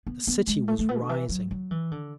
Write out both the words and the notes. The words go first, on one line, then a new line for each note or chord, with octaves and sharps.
The city was rising.
B3
B3
G#3
A3
A3
B3
D3
E3
F#3
F#3
E3
D3